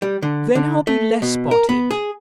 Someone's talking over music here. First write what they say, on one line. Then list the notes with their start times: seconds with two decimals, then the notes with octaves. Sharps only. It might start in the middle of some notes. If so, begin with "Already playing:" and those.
"Then I'll be less spotted."
0.02 G3
0.22 D3
0.55 D3
0.87 A3
1.22 B2
1.51 A#4
1.69 B3
1.91 G#4